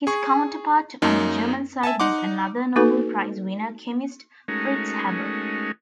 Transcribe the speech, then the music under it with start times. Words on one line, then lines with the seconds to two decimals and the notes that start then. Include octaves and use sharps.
His counterpart on the German side was another Nobel Prize-winning chemist, Fritz Haber.
0.07 G#4 C#6
1.02 F#2 A#3 D#4
1.83 E5 G#5 A5
2.00 D#4 F#5 C6 D6
2.76 A#3 D#4 F#4 A4 B4
4.48 G#3 A3 C#4 D#4 F#4 A#4